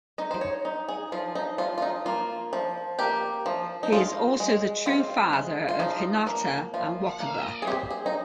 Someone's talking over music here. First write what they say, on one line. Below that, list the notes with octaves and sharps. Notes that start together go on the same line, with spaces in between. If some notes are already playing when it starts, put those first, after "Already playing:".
He is also the true father of Hinata and Wakaba.
D#4 D#5
C5
C#5
D#4
G#4
F3 F4
D#4
F3 F4
F4
D#4
A#3 F4
F3
A#3 G4
F3
D#4
G#3 F4
G#3
C4 F4
G#3
F4
F3 D#4
A#3
F3 F4
A#3
G#4
C4 G4
G#4
D#4